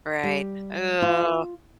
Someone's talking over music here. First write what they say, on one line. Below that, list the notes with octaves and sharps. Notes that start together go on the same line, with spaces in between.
Right. Ooh.
G3
F4